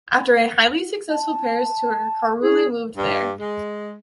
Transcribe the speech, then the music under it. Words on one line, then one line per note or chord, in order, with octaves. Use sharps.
After a highly successful Paris tour, Carulli moved there.
A5
E4 G#4
G2
G#3